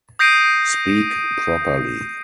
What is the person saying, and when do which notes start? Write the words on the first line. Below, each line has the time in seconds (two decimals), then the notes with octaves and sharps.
Speak properly.
0.19 D#6 G6 A#6 C7 D7 D#7